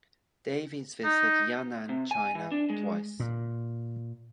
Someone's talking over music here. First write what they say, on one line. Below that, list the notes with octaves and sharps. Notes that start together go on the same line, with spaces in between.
Davies visited Yan'an, China, twice.
D#4
C3
G#5
E3
D4
G#3
A#2